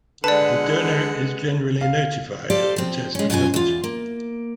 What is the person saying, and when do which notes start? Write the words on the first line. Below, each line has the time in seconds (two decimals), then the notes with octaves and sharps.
The donor is generally notified of the test result.
0.24 D3 G#3 B4 D5 F#5 A5
1.81 F5
2.50 G4 A4 C5 D5 F5
2.76 F3 C4
3.15 G#3 C#4
3.30 F#2 B2 F4 G#4 G#5
3.54 E2 F4
3.84 A#3